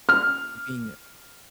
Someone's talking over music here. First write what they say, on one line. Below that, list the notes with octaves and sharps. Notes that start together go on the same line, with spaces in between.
you're being
F6